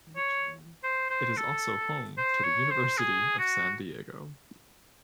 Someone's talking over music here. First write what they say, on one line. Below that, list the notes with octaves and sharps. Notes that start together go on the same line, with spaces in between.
It is also home to the University of San Diego.
C#5
C5
C5
A4
C5
C#5
C5
G#4
F#4